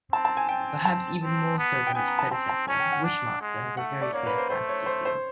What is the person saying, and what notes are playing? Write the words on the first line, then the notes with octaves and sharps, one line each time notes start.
Perhaps even more so than its predecessor, "Wishmaster" has a very clear fantasy theme.
C4 A5
A5
G#5
C4 G5
A5
C4
B3
G5
B3 G#5
A#5
A5
C4 A5
A5
C#4 G#5
G5
F#5
D4
G#3
A3 F#5
D5
A#3 C#5
B4
C5
A3 C5
C#5
C5
C5